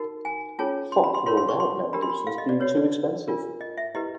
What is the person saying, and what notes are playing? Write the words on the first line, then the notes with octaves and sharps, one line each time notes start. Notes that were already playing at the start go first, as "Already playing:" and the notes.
Fox ruled out Mel Gibson as being too expensive.
Already playing: D#4 F#4 A#4
G#5
C#4 F4 G#4 C#5 A5
C6
B5
C6
F4 A#4 C#5 C6
C6
C#6
C6
D4 G4 A#4 B5
C6
B5
F5
D#5
D5
F#4 B4 C#5
D5
D4 F4 A#4
D#5
E5
E4 G4 B4 D#5